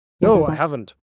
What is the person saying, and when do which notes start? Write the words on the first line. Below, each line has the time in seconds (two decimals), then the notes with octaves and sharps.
'No, I haven't.
0.22 E1 F3
0.35 E3
0.48 D#3